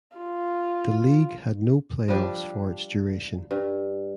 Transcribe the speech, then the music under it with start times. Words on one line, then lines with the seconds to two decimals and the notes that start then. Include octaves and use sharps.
The league had no playoffs for its duration.
0.17 F4
2.08 F3 G3 D4
3.51 G2